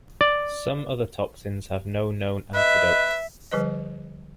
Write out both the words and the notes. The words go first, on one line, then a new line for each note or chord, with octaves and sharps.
Some other toxins have no known antidote.
D5
B4 D#5 E5
D3 F3 G3 B4 C5 D#5